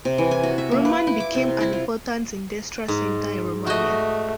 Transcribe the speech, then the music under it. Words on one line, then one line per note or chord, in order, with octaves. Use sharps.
Roman became an important industrial center in Romania.
C3
E3
G#5
F#4
E5
A#3
B4
E4
D6
C3
E4
F4
G#2
A3 F#4 D#5